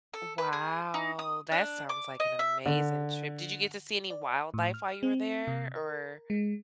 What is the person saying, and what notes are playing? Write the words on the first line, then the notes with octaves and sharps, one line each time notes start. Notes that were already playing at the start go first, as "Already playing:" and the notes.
Wow. That sounds like an amazing trip. Did you get to see any wildlife while you were there or
A4
B4
G#4
D#4
D#6
D4
D6
D#5
E5
D3
D5
A2
F6
C4
C3
A#4
G#3